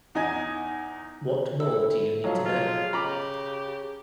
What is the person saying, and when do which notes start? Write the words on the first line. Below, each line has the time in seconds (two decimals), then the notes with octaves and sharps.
What more do you need to know?
0.15 E2 D#4 D#5 G#5 G#6
1.60 E4 A4 E6
2.24 F3 F#3 D#4 C#5 F5
2.46 G#3 F4
2.93 C#3 G4 A#5 B5 D6